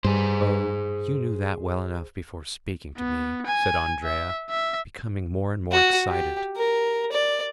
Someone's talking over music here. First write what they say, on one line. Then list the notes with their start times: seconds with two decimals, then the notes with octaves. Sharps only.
"Oh, you knew that well enough before speaking to me," said Andrea, becoming more and more excited.
0.04 G2 G#4 C5
2.97 B3
3.46 G#5
4.04 E5
4.50 E5
5.72 F#4
6.08 G4
6.57 A#4
7.12 D5